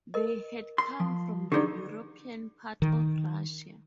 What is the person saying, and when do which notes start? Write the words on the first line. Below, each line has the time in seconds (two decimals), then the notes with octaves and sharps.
They had come from the European part of Russia.
0.14 A#4 D#5
0.78 C6
1.00 F3
1.52 D3 D#4 G4 G#4 D5
2.82 D#3